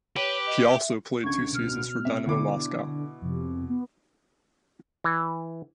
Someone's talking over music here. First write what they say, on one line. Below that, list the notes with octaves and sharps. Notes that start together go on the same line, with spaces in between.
He also played two seasons for Dynamo Moscow.
G4 B4 C#5
D#5
E5
C#2 D3 C#6 G#6
B2 F6
C3 E5
B2 D3 E4 D6
F2 C3
B3
E3